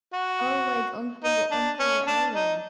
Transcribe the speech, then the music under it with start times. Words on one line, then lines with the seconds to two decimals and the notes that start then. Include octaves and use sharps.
Oh, like Uncle Uncle Iroh.
0.14 F#4
1.24 D#4
1.51 D4
1.80 C#4
2.07 D4
2.35 D#4